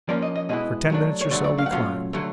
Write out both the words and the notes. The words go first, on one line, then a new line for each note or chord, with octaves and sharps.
For ten minutes or so we climbed.
F3 A#3 C#4 D5
D#5
D#5
B2 G#3 B3 E4 D#5
F#3 A3 D4
C#5
D3 F#3 A3 D5
D5
F5
F#5
A#2 F#3 A3 C#4 F4 F5
D3 F#3 A3